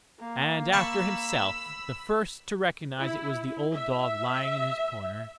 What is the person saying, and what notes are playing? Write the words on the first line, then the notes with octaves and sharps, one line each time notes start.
And, after himself, the first to recognise it was the old dog lying in his corner.
A#3
F5 A5 B5 C#6 E6
E4
E5